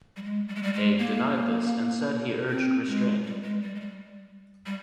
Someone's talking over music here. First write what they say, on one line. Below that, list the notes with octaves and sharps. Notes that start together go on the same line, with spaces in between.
Haig denied this and said he urged restraint.
G3
G#3
G3
G#3
G3
G#3
A#3
C4
G#3
G3
G#3
G3
G#3
G3
G3